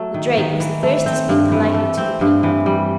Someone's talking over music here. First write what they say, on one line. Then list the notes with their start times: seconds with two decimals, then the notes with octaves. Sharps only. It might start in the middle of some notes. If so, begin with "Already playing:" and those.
The Drake was the first to speak politely to the Peacock.
Already playing: F#3 A3
0.14 D#3
0.37 D#3
0.60 E3
0.83 A3
1.06 C4
1.29 G2
1.52 E3
1.74 A3
1.98 C4
2.21 G2
2.43 E3
2.66 G3